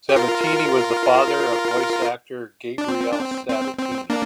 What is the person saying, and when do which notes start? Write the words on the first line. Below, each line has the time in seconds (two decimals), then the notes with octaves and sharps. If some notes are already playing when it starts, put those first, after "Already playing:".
Sabatini was the father of voice actor Gabriele Sabatini.
0.09 G4
0.16 F4 A#4
2.78 D4
2.88 C4
3.12 D4
3.19 C4
3.49 C4
3.79 C4
4.10 A#3 D4